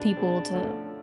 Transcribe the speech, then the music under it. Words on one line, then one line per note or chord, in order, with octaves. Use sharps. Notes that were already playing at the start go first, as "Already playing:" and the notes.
people to,
Already playing: B2 G#3 C4 D4
B2 G#3 C4
D3 F3 A3 C#4